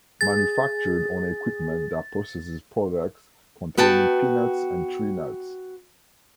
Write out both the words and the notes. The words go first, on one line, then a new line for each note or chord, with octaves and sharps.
Manufactured on equipment that processes products containing peanuts and tree nuts.
G#4 A6
B3 F#4 G5 A5